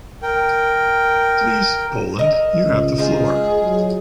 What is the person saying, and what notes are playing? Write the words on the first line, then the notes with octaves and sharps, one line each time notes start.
Please, Poland, you have the floor.
A#4 G5
A#4 D#5 E5
C#2
D#4 F4 G#4 C5
F#3